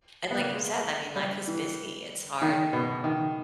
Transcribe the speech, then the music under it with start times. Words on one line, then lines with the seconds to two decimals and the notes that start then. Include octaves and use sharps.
and like you said, I mean, life is busy, it's hard
0.31 B3
0.41 A#3
0.53 G#3
1.16 G3
1.47 E3
2.42 D#3
2.73 B2
3.04 D#3